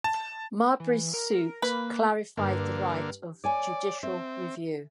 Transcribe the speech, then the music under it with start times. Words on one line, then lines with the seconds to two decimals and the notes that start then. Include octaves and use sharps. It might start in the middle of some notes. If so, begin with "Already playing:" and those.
Marbury's suit clarified the right of judicial review.
0.04 A5
0.80 E3
1.14 A#4
1.62 A#3 B4
2.37 G2 D3 A#3
3.44 C#5 D5 G#5
4.03 C4 E5